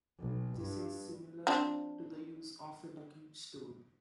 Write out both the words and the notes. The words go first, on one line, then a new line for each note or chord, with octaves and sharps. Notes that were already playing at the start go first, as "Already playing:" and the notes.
This is similar to the use of a ducking stool.
B1
G2
F3 C4 D4